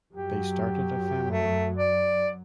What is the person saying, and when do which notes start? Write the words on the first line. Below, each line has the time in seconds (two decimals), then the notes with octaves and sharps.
They started a family.
0.13 F#2 F#3 G4
1.31 A3
1.77 D5